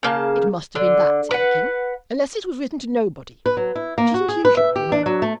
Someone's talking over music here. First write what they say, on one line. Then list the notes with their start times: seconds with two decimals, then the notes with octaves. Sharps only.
'It must have been that,' said the King, 'unless it was written to nobody, which isn't usual, you know.'
0.03 C#3 A#3 A5
0.75 D3
1.31 B4 F#5
3.46 B4
3.57 F#3
3.75 E4
3.98 A#3
4.14 F#4
4.29 G#4
4.45 B4
4.57 E5
4.76 G4
4.92 D4
5.06 F#3
5.22 A3